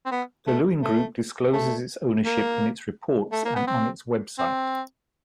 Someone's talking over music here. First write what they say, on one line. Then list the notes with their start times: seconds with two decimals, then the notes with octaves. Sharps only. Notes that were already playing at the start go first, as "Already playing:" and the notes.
The Lewin Group discloses its ownership in its reports and on its web site.
0.05 C4
0.11 B3
0.47 A3
0.83 A3
1.53 A3
2.26 A#3
3.32 A3
3.45 A#3
3.56 B3
3.67 C4
4.38 C4